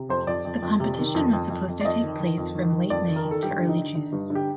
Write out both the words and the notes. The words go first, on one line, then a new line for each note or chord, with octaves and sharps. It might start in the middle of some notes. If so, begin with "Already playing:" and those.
The competition was supposed to take place from late May to early June.
Already playing: C3
F2 C5
F2 D5
F2
F2
C3
D#3
F2
F2
F2
F2
D5
F2 D#5
D#3
D#3
F2
D#3
D#3
F2 D5
D#3
A#4
D#3
A4
G2 G4
D3
D#4
D3
D3
G2
D3
G4